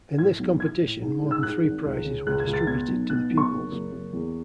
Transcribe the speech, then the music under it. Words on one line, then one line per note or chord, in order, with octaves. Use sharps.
In this competition, more than three prizes were distributed to the pupils.
A2 G#6
B1
E3 G#6
A2
G#2
G#2
E6
G#2 F#6
G#1
C#2
C#3
C#2 F#6
G#6
C#2
A6
B2 G#6
B1
B2 F#6
B1
C#6
F#1
F#1
F#1
E2